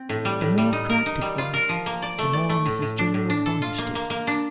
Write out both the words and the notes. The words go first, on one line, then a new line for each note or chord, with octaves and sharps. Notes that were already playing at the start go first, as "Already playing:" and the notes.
The more cracked it was, the more Mrs General varnished it.
Already playing: C4
A2
G3
A2
G3
D#4
A#4
D#4
G3
F4
A#4
F3
A#3
D5
A3
D5
A3
A2
A2
D4
A2
D4
A4
F4
A#3
A#3
A#3
D4